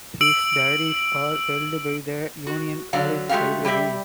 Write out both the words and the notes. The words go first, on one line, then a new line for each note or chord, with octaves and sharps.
His diaries are held by the Union College library.
E6 D7 F#7
F#4
D3 F#3 D5 F5 F#5
G#3 A3 F#4 G4 F5
G3 G4 D5 E5